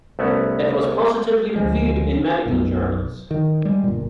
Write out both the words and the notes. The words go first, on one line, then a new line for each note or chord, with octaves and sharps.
It was positively reviewed in medical journals.
C2 A3 B3 C#4
D2 F3 G#3
B1 F#2 B2
D#3
G3 G#3
G1 A#2